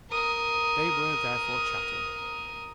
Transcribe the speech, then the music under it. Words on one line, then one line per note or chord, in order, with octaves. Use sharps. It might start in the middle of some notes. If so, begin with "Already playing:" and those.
They were therefore chatting.
A#4 D#6